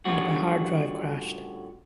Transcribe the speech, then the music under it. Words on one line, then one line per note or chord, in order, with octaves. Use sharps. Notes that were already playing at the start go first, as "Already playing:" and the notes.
And my hard drive crashed.
A2 D3 G3 C#4 F4 F#4